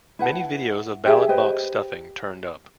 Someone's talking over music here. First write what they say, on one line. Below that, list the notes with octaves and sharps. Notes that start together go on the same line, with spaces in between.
Many videos of ballot box stuffing turned up.
E4 B4 F#5 A5
G4 G#4 E5
G4 B4 C5 D#5